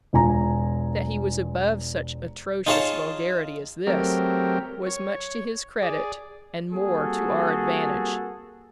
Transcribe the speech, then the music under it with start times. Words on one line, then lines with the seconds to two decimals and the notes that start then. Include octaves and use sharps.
That he was above such atrocious vulgarity as this, was much to his credit and more to our advantage.
0.13 E1 F4 G#5 A#5
2.67 D#4 F4 G#4 C#5 F5 A5
3.87 F#3 A3 C4 G4 A#4
4.87 C#5
5.83 G#4 D5
6.72 G3 A#3 C4 F#4 G#4 A4